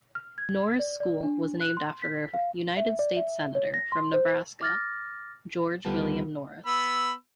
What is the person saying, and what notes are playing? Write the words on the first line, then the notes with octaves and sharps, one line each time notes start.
Norris School was named after a United States senator from Nebraska, George William Norris.
F6
G#6
D5
D5
D4
F#6
C6
B6
F5
E5
D5
E5
C#5
A#6
C6
C5
D6 F6 A6 A#6
D2 D3 G3 B3 F4 A5
B3 B5 E6